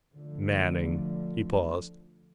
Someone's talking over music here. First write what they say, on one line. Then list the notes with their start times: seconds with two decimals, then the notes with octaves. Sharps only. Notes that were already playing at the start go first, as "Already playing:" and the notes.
"Manning." He paused.
0.13 D3 F3 A3